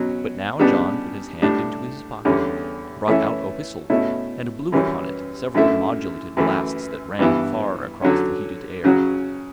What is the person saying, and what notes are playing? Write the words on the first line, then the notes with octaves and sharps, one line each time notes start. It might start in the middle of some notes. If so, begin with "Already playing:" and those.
But now John put his hand into his pocket, brought out a whistle, and blew upon it several modulated blasts that rang far across the heated air.
Already playing: B2 F#3 C#4
C#3 G3 B3 D4
A2 G3 D4
E2 D3 G3 C#4
E3 A3 C#4 E4
B2 A3 C#4 E4
F#2 E3 G3 C#4
F#2 D3 A3 E4
F#2 E3 A3
G2 E3 B3 E4
D3 F#3 C#4
C#3 F#3 C#4 F#4